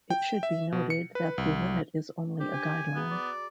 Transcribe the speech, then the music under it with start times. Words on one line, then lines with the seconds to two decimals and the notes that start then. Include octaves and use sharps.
It should be noted that the limit is only a guideline.
0.10 G5
0.43 E5
0.72 B2
0.90 C#7
1.15 B4
1.38 C2
2.40 D4 G4 C5
2.53 G#5
2.84 D#3
2.96 B3 F#4 G#4 A#5
3.11 D5